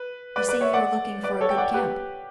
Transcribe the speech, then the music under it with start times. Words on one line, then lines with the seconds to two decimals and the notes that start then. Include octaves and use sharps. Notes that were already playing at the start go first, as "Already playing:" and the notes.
You say you are looking for a good camp.
Already playing: B4
0.36 B4 D5
0.49 B4 D5
0.61 C#5 E5
0.73 D5 F#5
1.23 B4 D5
1.41 A4 C#5
1.50 G5
1.58 D5 F#5
1.74 G4 B4